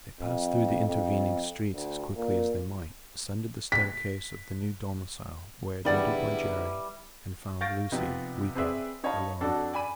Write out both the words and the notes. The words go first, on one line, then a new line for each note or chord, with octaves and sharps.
They passed through the intervening streets as quickly as they might, ascended the staircase of the new domicile, were admitted by Jerry, and found Lucie weeping, alone.
F2
F2
D2
A#2
B6
E2 D3 G3 D#4 E4 B4 D5 F#5
F5 C#6 G6 A6 A#6 D7
C3 F3 B3 D#4 G4
C4 G#4 B4 D5 E5
D#4 C#5 D#5 F5 A5 B5
F2 D4 F#4 A4
D5 G#5 B5 D#7